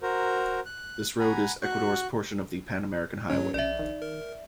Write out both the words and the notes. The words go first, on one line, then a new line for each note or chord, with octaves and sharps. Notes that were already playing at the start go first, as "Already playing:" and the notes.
This road is Ecuador's portion of the Pan-American Highway.
F#4 A#4 C5 A#5
F#6
F#5 G#5 A#5 B5
F#4 C#6 F#6
G2 F#3 C#4 C#5
A#1 D5 E5
D#3
A#4